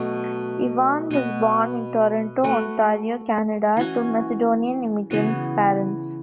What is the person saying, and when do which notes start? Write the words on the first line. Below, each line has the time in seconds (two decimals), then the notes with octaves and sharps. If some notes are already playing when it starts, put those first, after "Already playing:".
Ivan was born in Toronto, Ontario, Canada, to Macedonian immigrant parents.
Already playing: B2 F#3 A3
1.11 B2 B3 F#4
2.44 A3 F#4 B4
3.77 E3 C#4 F#4
5.10 C#3 E3 B3 F#4